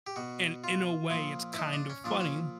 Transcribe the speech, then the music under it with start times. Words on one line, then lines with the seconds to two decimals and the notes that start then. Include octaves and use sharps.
and in a way, it's kind of funny.
0.07 G4
0.16 B2 F#4
0.64 F4
1.10 A#2 F3
1.53 E4
1.58 D#4
1.73 D4
1.90 C#4
2.04 A#2 F3 D4
2.21 C#4